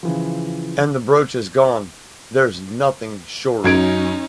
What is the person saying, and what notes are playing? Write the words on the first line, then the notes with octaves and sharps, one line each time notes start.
And the brooch is gone, there’s nothing surer.
C#3 E3 F3
F#2 C#4 D#4 G#6 D7